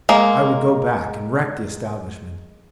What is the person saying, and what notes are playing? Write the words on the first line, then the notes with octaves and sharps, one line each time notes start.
I would go back and wreck the establishment.
G#3 A#3